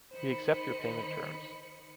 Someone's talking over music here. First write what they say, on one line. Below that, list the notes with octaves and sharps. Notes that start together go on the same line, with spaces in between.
We accept your payment terms.
D#3 C5 D#5 B5 C#7